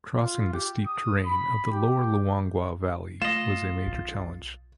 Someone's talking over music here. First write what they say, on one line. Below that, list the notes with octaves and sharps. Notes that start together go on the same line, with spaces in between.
Crossing the steep terrain of the lower Luangwa valley was a major challenge.
F4
G4
D#6
B5
G4
A3 F4 D#5 E7
B1